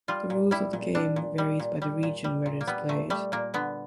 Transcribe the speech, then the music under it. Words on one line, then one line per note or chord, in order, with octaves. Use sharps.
The rules of the game varies by the region where it is played.
G3 F4
A#2
G3 E4
A#2
G3 D4
A#2
G3
A#2
G3
A#2
G3
A#2
A#3
G3 B3
A#2 A3
G3 A3
A#2 A#3
D3 B3